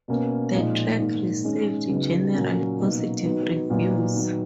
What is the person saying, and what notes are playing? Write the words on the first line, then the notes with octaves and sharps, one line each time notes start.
The track received generally positive reviews.
B2 A#3 C#4
A#2 F3 G#3 D#4
G#2 D#3 A#3
D#3 G#3 C#4
C#3 F#3 B3 D#4
A#2 F#3 A#3 C#4
B2 F#3 A#3 D#4
D#3 F#3 B3 D#4
A#2 F#3 B3 D#4
D#3 F#3 B3